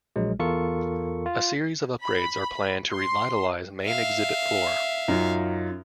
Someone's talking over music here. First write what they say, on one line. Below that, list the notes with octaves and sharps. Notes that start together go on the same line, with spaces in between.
A series of upgrades are planned to revitalize main exhibit floor.
A#1 F#3 G#3
E2 F4 A4 A#4 C#6 C#7
F4
B5
C6
E5 F5
F#2 D#4 F4